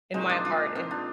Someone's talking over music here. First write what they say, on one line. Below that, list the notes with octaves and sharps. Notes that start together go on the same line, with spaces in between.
in my heart and
A#2 G#3 C4 D#4
D4 F4
D4 F4
C4 D#4
D4 F4